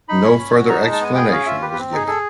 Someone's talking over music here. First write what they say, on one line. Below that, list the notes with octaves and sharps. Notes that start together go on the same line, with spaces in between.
No further explanation was given.
D#4 B5
C#4
C#4
F#4
D#4 A#5
A5
G#3
A5
B3 G#5
G#4 G5
C#4 F5
F4 E5
G4 B4
B4
C4
D#4 G#4
G#4 A4